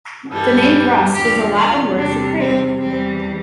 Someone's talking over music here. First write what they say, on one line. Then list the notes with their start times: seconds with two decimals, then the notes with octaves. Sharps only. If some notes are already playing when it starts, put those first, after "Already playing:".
The name "Grus" is the Latin word for "crane".
0.31 G2 E3 G3 A4
1.15 E2 D3 F3 G4
1.56 F4
1.98 E2 C3 G3 D4
2.39 C4
2.81 E2 E3 G3 C4